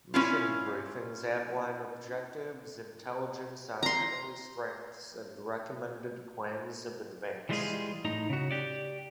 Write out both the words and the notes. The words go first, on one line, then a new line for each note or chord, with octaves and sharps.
Mission briefings outline objectives, intelligence on enemy strengths and recommended plans of advance.
C#4 E4 F4
A#5 C6
E3 G3 G#3 D#4 F4 G#4
A2 D#4 A#5
C#3 F#4
G4 D5